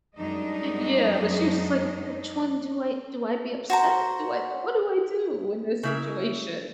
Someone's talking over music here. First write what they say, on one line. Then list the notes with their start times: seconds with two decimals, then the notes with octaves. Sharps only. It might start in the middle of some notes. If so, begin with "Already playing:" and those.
Yeah, but she was just like, "Which one do I do I be upset? Do I what do I do in this situation?"
0.17 F#2 G3 G#3 D4 D#4 D#5
3.70 F#4 C5 A#5
5.83 C#3 E4 A#4